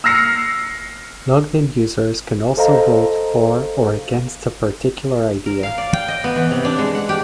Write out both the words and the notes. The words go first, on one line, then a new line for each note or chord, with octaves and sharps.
Logged in users can also vote "for" or "against" a particular idea.
E6 F6 A#6 C7 C#7
A4 C5 D#5 F5 A#5
A#4
F5
D5
G5
D#5
B3
E3
C3
D4
G#3
F#5
G4